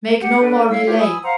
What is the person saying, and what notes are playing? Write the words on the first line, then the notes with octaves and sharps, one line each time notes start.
Make no more delay!
G4 F#5 G5 G6
D4 A4 B4
E4 C#5 F5 E6
E4 F4 G4 C#5
G#5 B5 D#6 E6
C5 F5 F#5 A#5